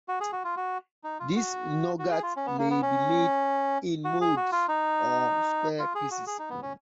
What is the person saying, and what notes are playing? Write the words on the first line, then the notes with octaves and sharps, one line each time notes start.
This nougat may be made in molds, or square pieces.
F#4
G#4
F#4
F4
F#4
D#4
F4
F#4
F#4
G#4
F4
C#4
B3
A#3
B3
C#4
F#4
G#4
F#4
F4
D#4
F4
G#4
F#4
G#4
D#4
B3
C#4